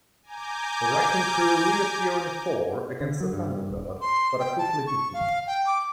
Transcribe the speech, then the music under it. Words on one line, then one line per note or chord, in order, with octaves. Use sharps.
The Wrecking Crew reappear in "Thor" against the Thunder God, but are quickly beaten.
G#5 A#5 D6 G6
D3
F#3
G2
D#1
C6
G5
A5
C#6
F5
G5
D6